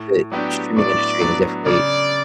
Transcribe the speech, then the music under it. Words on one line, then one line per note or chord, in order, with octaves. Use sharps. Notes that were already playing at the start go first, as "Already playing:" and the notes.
the streaming industry has definitely,
Already playing: A2
F#3 B3 D4 G4
A2 D5
F#3 B3 D4
C#3 D5